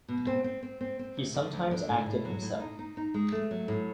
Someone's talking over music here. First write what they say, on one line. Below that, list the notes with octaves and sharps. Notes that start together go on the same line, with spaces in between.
He sometimes acted himself.
B2
C4
C4
C4
C4
C4
D2
D3
D2
D3
A2
A2
F#3
A2
D#4
D#4
D#4
G#3
A3
F#3
A2